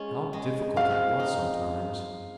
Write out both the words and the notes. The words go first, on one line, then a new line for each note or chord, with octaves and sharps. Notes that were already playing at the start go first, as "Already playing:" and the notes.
How difficult it was sometimes.
Already playing: G#3 C#4 F4
G#3
C4 F5
D#4